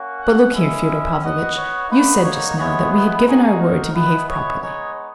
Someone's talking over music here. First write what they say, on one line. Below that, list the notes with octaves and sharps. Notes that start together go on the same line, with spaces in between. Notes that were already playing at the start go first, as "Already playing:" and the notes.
But, look here, Fyodor Pavlovitch, you said just now that we had given our word to behave properly.
Already playing: A#3 C#4 F#4
F#5
G#3 C#4 E4 E5
B3 F#4 D#5
C#5
A#3 D#4 F#4 B4
C#5
G#3 B3 E4 C#5
B4
G#3 D#4 F#4 G#4
A#4
G#3 B3 E4 B4
C#5
G#3 B3 D#4 C#5